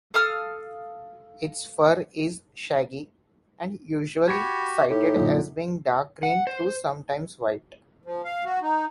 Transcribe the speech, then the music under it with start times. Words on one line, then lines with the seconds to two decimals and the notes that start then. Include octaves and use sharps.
Its fur is shaggy, and usually cited as being dark green though sometimes white.
0.14 A4 F5 D#6 F6
4.28 F#4 G4 B5 G#6 C#7
4.90 A2 D#4 G4
5.16 F#2 A#2 D3
6.23 F#5
6.47 C5
8.05 F3
8.24 F5
8.46 F#4
8.62 D#4